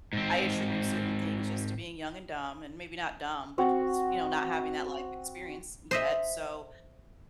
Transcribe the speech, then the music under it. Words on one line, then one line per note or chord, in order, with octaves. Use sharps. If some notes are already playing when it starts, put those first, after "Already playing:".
I attribute certain things just to being young and dumb, and maybe not dumb, but just, you know, not having that life experience yet, so,
G#2 C4
C4 F#4
C5 D#5 E5